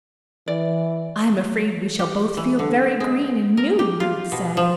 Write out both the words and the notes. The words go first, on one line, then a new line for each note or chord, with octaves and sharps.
"I am afraid we shall both feel very green and new," Ruth said.
E3 D5
G4
E3
D3
G#3
A#4
G4
F4
B2
F3